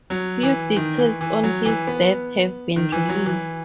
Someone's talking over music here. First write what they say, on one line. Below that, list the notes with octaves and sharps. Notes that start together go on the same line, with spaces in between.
Few details on his death have been released.
F#3
E3
D#3
E3
E3
F#3
E3
B3
D#3
E3
F#3
E3